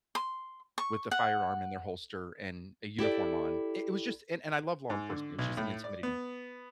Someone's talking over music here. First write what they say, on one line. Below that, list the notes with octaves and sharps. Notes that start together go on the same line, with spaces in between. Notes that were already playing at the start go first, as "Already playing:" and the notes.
with the firearm in their holster and a uniform on. It it was just and and I love law enforcement. It was just an intimidating
C6
C#6
F#5
E4 G4 A4 D5
G#2
D3
B1
A2
D5
B3